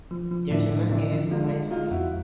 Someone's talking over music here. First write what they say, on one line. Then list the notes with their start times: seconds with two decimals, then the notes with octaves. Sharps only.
There is a market every Wednesday.
0.11 F3
0.31 F3
0.51 A2 D4 E4
0.71 A2
0.91 C#3 D4 E4
1.11 F3
1.31 G#3 D#4 F4
1.51 G#3
1.71 G#3 D#4 F4
1.91 F2 E4 F#4